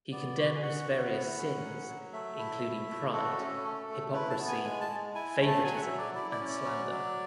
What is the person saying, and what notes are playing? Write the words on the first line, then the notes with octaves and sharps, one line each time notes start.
He condemns various sins, including pride, hypocrisy, favouritism, and slander.
B3 D5
F#4
G#5
F#4 F#5
B3
E4
C#4
F#3
F#3
A3 E5
E4
E4
A3
F#4 A4
C#4
A3
A3
E4 B4
A5
B3
G#5
G#3 G#5
A5
G#3
E4 G#5
G#5
A3
A5
F#3 G#5
F#5
E5
F#3
D5
E4 D5
D5
C#4
D5
F#3
F#3